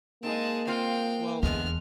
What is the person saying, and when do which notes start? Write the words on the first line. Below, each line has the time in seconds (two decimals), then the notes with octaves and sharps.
Well, f
0.23 G#3 A#3 C4 D#4 G#4 A5
0.67 G#3 C4 F4 F5 G5
1.43 E2 A2 D3 G#3 B3 F6